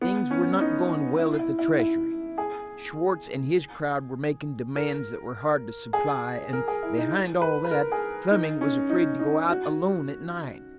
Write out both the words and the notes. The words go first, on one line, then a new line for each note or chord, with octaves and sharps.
Things were not going well at the treasury; Schwartz and his crowd were making demands that were hard to supply, and behind all that, Fleming was afraid to go out alone at night.
B3
C#4
D#4
E4
E4
E4
E4
G#4
A#4
G#4
A#4
G#4
E4
D#4
B4
B4
A#4
G#4
D#4
C#4
D#4
D#4
F#4